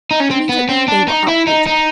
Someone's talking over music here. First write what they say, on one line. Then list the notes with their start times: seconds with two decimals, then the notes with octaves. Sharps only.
Immediately they were uprooted.
0.11 D#4
0.20 C#4
0.31 C4
0.49 B3
0.69 C4
0.88 D4
1.08 D#4
1.28 E4
1.47 D#4
1.67 D#4